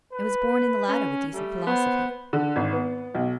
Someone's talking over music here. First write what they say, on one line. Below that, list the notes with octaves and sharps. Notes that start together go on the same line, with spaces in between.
It was borne in the latter with decent philosophy.
B4
C#4
G3 A3
B3 C5
D3
G#1
B3
B1